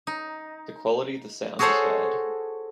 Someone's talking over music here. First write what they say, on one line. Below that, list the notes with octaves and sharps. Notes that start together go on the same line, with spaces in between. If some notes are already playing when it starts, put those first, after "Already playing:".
The quality of the sound was bad.
D#4
F#4 G#4 A4 C5 C#5 F#5